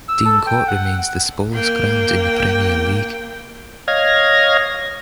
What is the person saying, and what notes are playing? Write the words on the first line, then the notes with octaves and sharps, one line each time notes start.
Dean Court remains the smallest ground in the Premier League.
E6
A4
G5
F#5
A#3 G5
C#5 D#5 F5 F6 G#6 A#6